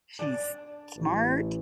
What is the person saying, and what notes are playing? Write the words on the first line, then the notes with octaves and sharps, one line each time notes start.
she's smart,
D4 D5
A1